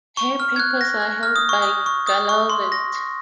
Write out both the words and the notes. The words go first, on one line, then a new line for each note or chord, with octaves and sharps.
Her papers are held by Gallaudet.
C#6
F6
G#6
F#6
A#6
F#6
F6
D#6
C#6
D#6
C#6
D#6
C#6
C6
A#6